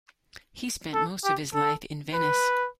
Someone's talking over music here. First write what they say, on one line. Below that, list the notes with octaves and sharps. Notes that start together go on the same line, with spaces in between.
He spent most of his life in Venice.
A4
G4
A4
B4